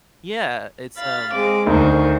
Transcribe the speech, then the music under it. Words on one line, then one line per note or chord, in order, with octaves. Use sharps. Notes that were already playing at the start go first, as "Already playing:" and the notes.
Yeah, it's, um
F5 B5 A6
G#3 C4 D6
D2 D#3 C5 C#6